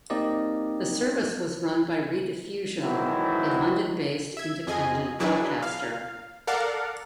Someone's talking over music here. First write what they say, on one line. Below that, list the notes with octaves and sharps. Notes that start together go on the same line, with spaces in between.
The service was run by Rediffusion, a London-based independent broadcaster.
A#3 C4 D#4 G4 D5 D#5
D#3 E3 F#3 G#3 C4 E4
E5 G#6
F2 G#4 D#5 G#5
F#3 D4 E4 G#4 B4
F5
A4 A#4 D5 F5 F#5